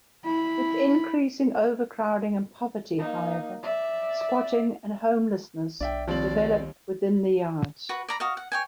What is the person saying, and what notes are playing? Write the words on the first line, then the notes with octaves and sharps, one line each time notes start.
With increasing overcrowding and poverty, however, squatting and homelessness developed within the yards.
E4 B5
A#3 D#4
D5 E5
B1 D4 D5 E5 G5
D#2 F3 G3 C4 D5 F#7
F#4 B4
D5 A#5 B5
F#4 D#5 F5
F#5
C#5 G5 G#5